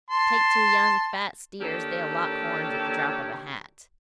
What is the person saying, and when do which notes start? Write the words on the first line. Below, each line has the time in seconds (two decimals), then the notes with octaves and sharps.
Take two young, fat steers they'll lock horns at the drop of a hat.
0.10 A5 C6
1.61 D#3 A#3 D4 G4 A4 C#5